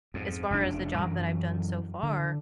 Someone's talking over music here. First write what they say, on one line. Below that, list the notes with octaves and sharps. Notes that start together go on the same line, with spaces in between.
as far as the job that I've done so far,
F2 G#2
F1 F2 C#3 D4
F#2 E3 F#3
D3